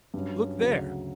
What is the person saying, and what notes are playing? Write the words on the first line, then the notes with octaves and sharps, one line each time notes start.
"Look there!"
G2 F#3 C#4
D2 C#3 F#3